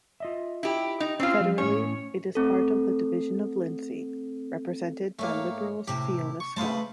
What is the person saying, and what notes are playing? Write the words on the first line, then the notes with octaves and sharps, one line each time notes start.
Federally, it is part of the Division of Lindsay, represented by Liberal's Fiona Scott.
F4 D#5 E5
E4 G4
D#4
C4 C#4 F4
F3
A2 C#4 C#5 G#5
A3 C4 A4
G#2 A3 A#3 C#5
A2 C3 E4 G4
C#6
C#3 A3 B4 C5 A5